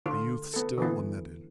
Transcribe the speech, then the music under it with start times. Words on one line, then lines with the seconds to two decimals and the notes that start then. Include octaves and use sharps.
The youth still lamented.
0.06 D3 F4
0.54 B3 A4
0.78 D3 E3 B3